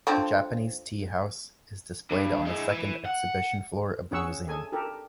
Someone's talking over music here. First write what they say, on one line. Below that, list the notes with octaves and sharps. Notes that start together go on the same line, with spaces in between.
A Japanese tea house is displayed on the second exhibition floor of the museum.
D3 F3 C4
G2
G#3 E4
E3
F#5
C#4 G#4 F#5 C#6 E6
G#4 A4 G#5
G4 A4 A#4